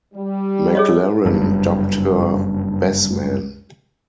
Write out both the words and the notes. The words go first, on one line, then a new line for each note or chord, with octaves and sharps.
McLaren dubbed her 'Bess Man'.
G3
G#4 C#5 D#5
F#1 G2